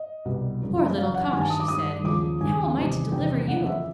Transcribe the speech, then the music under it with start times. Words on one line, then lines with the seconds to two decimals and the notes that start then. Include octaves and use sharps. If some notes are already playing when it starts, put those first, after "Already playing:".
'Poor little cock!' she said, 'and how am I to deliver you?'
Already playing: D#5
0.25 C2 B2 G3
0.62 F#2 C#3 E3
0.97 F#2 C#3 E3 F5
1.14 F#5
1.32 G2 D#3 G3 G#5
1.41 A5
1.50 D#6
1.60 D6
1.68 G2 D#3 G3 D#6
2.04 D#2 C#3 F3 G#3 D6
2.41 D#2 C#3 F3 G#3 G#5
2.76 E2 C3 D#3 G3
3.11 E2 C3 D#3 G3 G5
3.48 F2 C#3 E3 F#5
3.66 E5